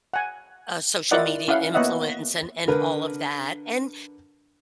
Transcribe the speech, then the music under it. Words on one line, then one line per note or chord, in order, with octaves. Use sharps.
uh, social media influence and and all of that, and,
F#5 G#5
E4 F4 A#4 D5 D#5 F#5
C#4 E4 F5 F#5
A#3 B3 C#5 D#5 E5 F#5
D3 A#4 B4